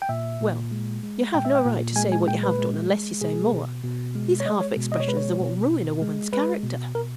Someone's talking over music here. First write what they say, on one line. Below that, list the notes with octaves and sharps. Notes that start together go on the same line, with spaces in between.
'Well! you have no right to say what you have done, unless you say more. These half-expressions are what ruin a woman's character.'
G5
A#2 E5
A#2
G#3
G#3
A#2 G5
E5
G5
A#2
G#3 G#5
G#5
A#2 G5
B4
G#3
G#3
B2 G#4
B2
B2
G#3
C#5
G#3 D#5
C#5
B2
D#5
C#5
G#3 B4
C#5
B2
B2
G#3
G#3 B4
B2
B2 A#4